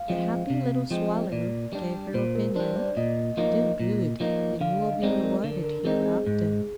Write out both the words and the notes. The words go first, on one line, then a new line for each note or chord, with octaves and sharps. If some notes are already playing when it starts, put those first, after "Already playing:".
The happy little Swallow gave her opinion,--"Do good and you will be rewarded hereafter."
Already playing: F5
F3 G#3 C4
C3
F3 G#3 C4
A#2 D5
G3 D4
A#2 C5
A#4
G3 D4 C5
D5
A#2 D#5
F3 A#3 D#4
A#2
F3 A#3 D#4
D3 F5
D#5
G#3 C4 D#4 D5
A#4
D3 A#4
A#4
G#3 C4 D#4 G#4
G#4
G#2